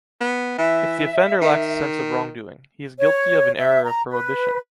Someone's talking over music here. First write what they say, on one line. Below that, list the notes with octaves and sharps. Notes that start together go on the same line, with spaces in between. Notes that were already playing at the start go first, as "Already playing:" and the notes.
If the offender lacks a sense of wrongdoing, he is guilty of an error of prohibition.
B3
E3 E5
D#3
C#5
E5
A#5
B4